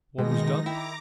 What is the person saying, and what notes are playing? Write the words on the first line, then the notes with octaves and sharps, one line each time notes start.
What was done?
B2 D#3 G#3 A#3 D#4 A#6
E4 G5 A#5 D6